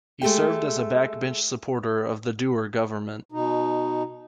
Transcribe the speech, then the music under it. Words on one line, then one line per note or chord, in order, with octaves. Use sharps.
He served as a backbench supporter of the Doer government.
G#3 A3 G4 G5
B2 D#4